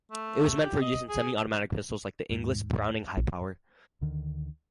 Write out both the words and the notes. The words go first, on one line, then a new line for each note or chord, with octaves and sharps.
It was meant for use in semi-automatic pistols like the Inglis Browning Hi-Power.
A3
G4
D#5
G#4
D#2 G#2
A#1
D2 D3 D#3